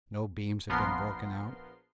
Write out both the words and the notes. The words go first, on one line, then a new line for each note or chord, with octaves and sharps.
No beams have been broken out.
A#1 F3 B3 A#4 C6 C7